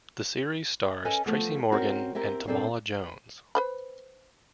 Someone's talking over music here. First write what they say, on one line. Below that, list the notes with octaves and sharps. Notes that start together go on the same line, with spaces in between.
The series stars Tracy Morgan and Tamala Jones.
C#4 A4 B4 D#5 G#5
F3 A3 B3
C4 C#4 F#4 A#4
C4 E4 G4 A#4
A#2 C4 D4 A4
B4 C5 B5